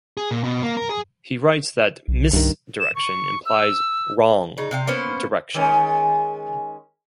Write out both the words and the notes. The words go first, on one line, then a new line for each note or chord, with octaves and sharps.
He writes that "Mis"direction implies 'wrong' direction.
G#4
A#2
B2
A#3
A#4
G#4
B1
C2 G2 D#3
E7
C#6
E6
C#3 D#4
C3 F5 G5
A#3 B3 C#4 C5
D#3 G#3 C#4